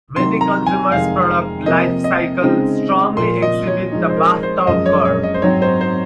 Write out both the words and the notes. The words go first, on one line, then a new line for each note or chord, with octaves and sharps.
Many consumer product life cycles strongly exhibit the bathtub curve.
C3 D#3 F#3 C6
A#5
G#5
F2 C3 D#3 G#3 F5
C3 F3 A#3 D#5
D#5
C#3 G#3 C4 D#4
A#2 F3 A#3 F4 C6
D#5
C#5
F3 G#3 D#4
C5
A#4
C5
F#2 F3 G#3 D#5
C#5
C#5
D#5
C5
G#2 F#3 C4 D#4 C#5
C5
C5